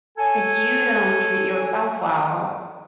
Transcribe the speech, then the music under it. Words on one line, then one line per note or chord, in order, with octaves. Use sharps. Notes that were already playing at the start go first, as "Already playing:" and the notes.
if you don't treat yourself well,
A4 C#5 G#5